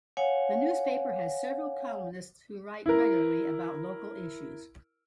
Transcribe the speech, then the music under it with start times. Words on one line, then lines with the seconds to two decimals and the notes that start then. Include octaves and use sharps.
The newspaper has several columnists who write regularly about local issues.
0.17 C#5 F5 F#5 G#5
2.86 E4 A#4